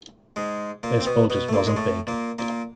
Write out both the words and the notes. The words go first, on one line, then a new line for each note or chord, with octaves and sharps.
Baseball just wasn't big.
G#2 G#3
A#2 A#3
C4
B2 B3
B2 B3
A3
A#2 A#3
G#3
A2 A3
A#2 A#3
A#2 A#3